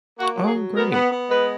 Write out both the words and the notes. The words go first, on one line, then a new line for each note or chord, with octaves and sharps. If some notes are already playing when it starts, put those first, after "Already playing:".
Oh, great.
A#3 F#4
F#3
G#4
F#3
B3 A#4
B3
B3
G#3 B4